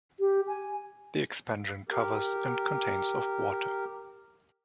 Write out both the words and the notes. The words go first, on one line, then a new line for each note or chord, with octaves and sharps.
The expansion covers and contains of water.
G4
G#5
G4 A#4